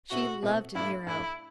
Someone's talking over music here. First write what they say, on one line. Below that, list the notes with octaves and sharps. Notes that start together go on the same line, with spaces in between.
She loved Nero.
B2 A3 C4 E4 F#4
B2 A3 C4 E4
G2 E3 A3 D4 E4
G2 E3 A3 D4 E4